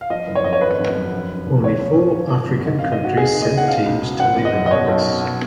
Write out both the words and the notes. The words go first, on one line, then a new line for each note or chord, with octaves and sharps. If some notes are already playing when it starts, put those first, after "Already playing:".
Only four African countries have sent teams to the Olympics.
F5
F3 D#5
F#1
C#5
F2 D#5
C#5
G#1 B4
G#1
F#2
F1
F1
D#2
A#1 C#5
A#1
G#2
F3
G#1
F#2
G#1 D#5
G#1 F5
D#5
G#2 F#4
D#2 G#4
D#2
D#5
C#3
F#5
B2 F5
C#2
B2
G#1 F#5
G#1
D#5
F#2
D#5
B2 C#5
B1
B2
B2